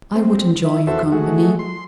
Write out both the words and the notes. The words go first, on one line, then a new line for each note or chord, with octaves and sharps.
"I would enjoy your company."
C4
E4
E2 F#4 A4 C5 E5
G#3 A3 F#4
C6